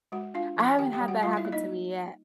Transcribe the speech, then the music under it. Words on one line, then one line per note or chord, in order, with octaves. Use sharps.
I haven't had that happen to me yet.
G#3 F#4 F#5
D4 F4 F5
F3
D#3 G4 G5
G4 G5
G3
F#4 F#5
G3 F4 F5
E4 E5
A#3
D#4 D#5